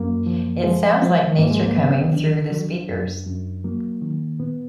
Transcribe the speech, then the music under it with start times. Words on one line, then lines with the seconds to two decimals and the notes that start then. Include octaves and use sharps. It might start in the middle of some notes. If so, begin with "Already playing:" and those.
It sounds like nature coming through the speakers.
Already playing: F#2 A#3
0.26 F3
0.64 F3 G#3
1.02 F3
1.39 G#2 A#3
1.51 G#3
1.63 A#3
1.76 F#3 B3
2.14 D#3 D4
2.51 F#3
2.89 F#2
3.27 F#2
3.64 F#3 A#3
4.02 D#3
4.39 A#2 B3